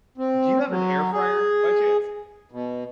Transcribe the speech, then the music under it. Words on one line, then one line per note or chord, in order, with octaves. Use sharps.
do you have an air fryer, by chance?
C4
F#3
G#4
B2